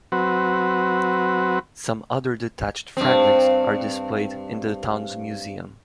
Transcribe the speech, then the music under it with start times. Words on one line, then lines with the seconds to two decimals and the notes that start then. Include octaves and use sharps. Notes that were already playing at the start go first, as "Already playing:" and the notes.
Some other detached fragments are displayed in the town's museum.
0.12 F#3 C4 F#4 B4
2.97 G2 C4